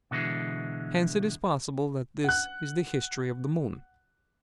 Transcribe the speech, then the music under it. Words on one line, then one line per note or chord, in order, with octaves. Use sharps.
Hence it is possible that this is the history of the moon.
B2 D3 E3 G#3
F#5 F#6